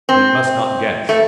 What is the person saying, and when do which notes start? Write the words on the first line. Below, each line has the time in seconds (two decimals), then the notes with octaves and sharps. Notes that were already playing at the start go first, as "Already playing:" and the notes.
"And he must not guess."
0.09 C4
1.09 A3